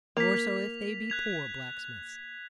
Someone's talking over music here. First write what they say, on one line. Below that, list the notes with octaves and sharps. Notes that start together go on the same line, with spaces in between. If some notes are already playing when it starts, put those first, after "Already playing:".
"More so if they be poor blacksmiths."
A#3 B6 F7
F#6 G#6 F7